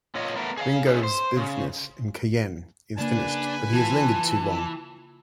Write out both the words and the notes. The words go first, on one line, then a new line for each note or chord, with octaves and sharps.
Ringo's business in Cayenne is finished, but he has lingered too long.
A#2 F4 C#5 D#5
A3 B3 A#4
G#4 D#5 F5
B3 C#4 D#4 E4 F#4 G#4
C5
C#3
C#3 A#3 D4 B4 G#5
E3 F4 A5